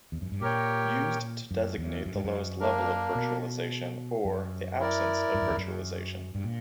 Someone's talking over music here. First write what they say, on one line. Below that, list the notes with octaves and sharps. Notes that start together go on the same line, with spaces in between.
Used to designate the lowest level of virtualization or the absence of virtualization.
E2
F#2
G2
A#2 G4 A#4 C#5 G5
F#2
E2
F#2
G2
F#2
A#3 D4 A#4
B2
F#2
E4 A#4 D5
G2
F#2
E2
F#2
G2
A#2